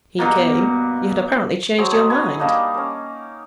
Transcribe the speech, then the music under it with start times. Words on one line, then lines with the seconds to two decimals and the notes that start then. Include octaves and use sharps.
'He came; you had apparently changed your mind.
0.19 G2 B2 A#3
1.78 F#3 G#4 C5
1.90 D#5 G#5 A5
2.10 B4 C#5 G#5
2.39 G3 A#3 D4 D#4
2.74 C#4 A#4